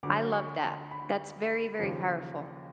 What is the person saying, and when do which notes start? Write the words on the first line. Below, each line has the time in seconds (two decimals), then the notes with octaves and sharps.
I love that. That's very, very powerful.
0.03 D2 D3 F#3 D6
0.32 C#6
0.61 C6
0.91 B5
1.79 D#2 C#3 F3